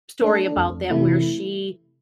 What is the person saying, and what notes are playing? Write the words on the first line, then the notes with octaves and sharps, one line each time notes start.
story about that where she
A3 D4 A4
F2
C3 E3 A3 E4